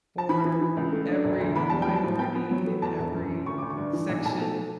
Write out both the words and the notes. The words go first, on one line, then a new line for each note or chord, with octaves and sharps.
for every minority and every section,
A5
E3 B5
E3
E3
C#2
A3
D4
E1
D2
E2 B5
G3 A5
G5
F#3
A5
A2
B3 G5
B3
F#3
A3
E2 A5
E1
F#2
C#4
D2 C#6
D2 D6
C#6
G2
E3
B1
B1 A5
A3